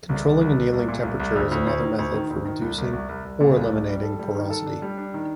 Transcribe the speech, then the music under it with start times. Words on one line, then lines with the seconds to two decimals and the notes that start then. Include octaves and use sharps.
Controlling annealing temperature is another method of reducing or eliminating porosity.
0.09 C2
0.25 C2
0.41 C2
0.56 C2
0.72 C2
0.88 A#2
1.03 C2
1.20 C2
1.36 D2
1.51 D2
1.67 D2
1.83 D#3
1.98 D2
2.15 D#3
2.30 D2
2.45 D#3
2.61 C2
2.78 C2
2.93 C2
3.09 C2
3.25 C2
3.40 A#2
3.56 C2
3.71 C2
3.87 G3
4.03 A4
4.19 G3
4.35 D#3
4.50 A4
4.66 D4
4.82 G3
4.98 D4
5.14 D#3